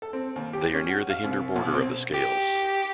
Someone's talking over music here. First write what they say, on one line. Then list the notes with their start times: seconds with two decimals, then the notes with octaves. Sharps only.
They are near the hinder border of the scales.
0.02 A4
0.13 C4
0.36 D#2
0.53 G4
0.74 C#4
0.89 F#4
1.10 F5
1.24 C2
1.56 B1
1.74 C4
2.14 G4